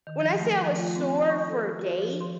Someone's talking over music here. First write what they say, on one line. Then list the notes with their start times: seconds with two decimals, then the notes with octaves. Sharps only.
when I say I was sore for days;
0.07 D#3
0.20 F3
0.39 A3
0.64 F3
0.78 F4
0.96 C4
1.29 C#6
1.49 A4
1.79 F#4
2.02 F3
2.21 C6